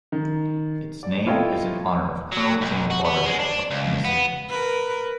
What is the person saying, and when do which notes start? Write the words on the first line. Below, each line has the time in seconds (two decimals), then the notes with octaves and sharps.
Its name is in honor of Colonel James Lauderdale, of Tennessee.
0.12 D#3
1.03 D5
1.26 E4 F4 A4 C#5 D#5 G5
2.32 F#3
2.61 B1
2.91 F#4
3.05 B3
3.26 G#3
3.39 D4
3.71 C#2
4.05 B3
4.49 A#4 B4